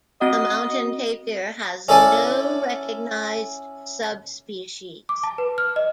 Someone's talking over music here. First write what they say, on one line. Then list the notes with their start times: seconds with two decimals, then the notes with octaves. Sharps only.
The mountain tapir has no recognised subspecies.
0.21 C4 F#4 D#5 F#5
1.89 C#4 E4 A4 D5 G#5 A5
5.09 D6
5.23 A5
5.38 B4
5.58 F6
5.76 D#5